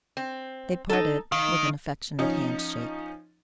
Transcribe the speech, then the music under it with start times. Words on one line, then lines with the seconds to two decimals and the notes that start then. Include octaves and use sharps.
They parted with an affectionate handshake.
0.17 C4
0.89 D#4 A4
1.32 D#3 F5
2.19 F3 C#4 D#4